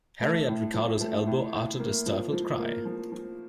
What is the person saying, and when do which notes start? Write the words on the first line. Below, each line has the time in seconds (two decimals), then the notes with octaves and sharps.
Harry at Ricardo's elbow uttered a stifled cry.
0.21 A3
0.48 A2
0.74 F3
1.01 A3
1.27 A2
1.53 A2
1.80 A#3
2.06 F3
2.33 F3
2.59 A#3
2.85 F3
3.12 F3